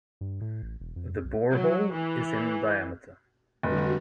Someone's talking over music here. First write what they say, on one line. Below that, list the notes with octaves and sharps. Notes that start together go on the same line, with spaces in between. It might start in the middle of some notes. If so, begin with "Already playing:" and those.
The borehole is in diameter.
G2
A2
A1
E1
F2
B1
F#3
E3
F1 D3 G3 F#4